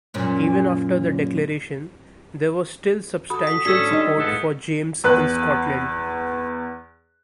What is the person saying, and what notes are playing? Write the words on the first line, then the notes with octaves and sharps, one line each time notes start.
Even after the declaration, there was still substantial support for James in Scotland.
F#2 A#2 C#4
F#4 A4 B5 D#6
D#6 B6
A2 C#4 D4 F#4 A4 E6 G#6 B6
G3 D4 D#4 D#5
A2 F3 G#3 B3 A4
E2 B4 F#6